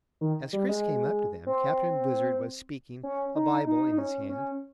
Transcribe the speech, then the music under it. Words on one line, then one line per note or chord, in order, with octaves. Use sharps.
As Chris came up to them, Captain Blizzard was speaking, a Bible in his hand.
D#3
G3
G#3
C4
C#4
D#4
D#4
D#4
C#4
C#4